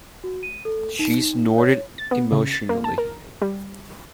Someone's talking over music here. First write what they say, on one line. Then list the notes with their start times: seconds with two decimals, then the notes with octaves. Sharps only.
She snorted emotionally.
0.24 F#4
0.43 D#7
0.65 A4
0.99 D#4
1.58 C#5
1.98 A6
2.11 B3
2.32 C#3
2.51 A6
2.69 A#3
2.84 A5
2.98 A#4
3.42 G3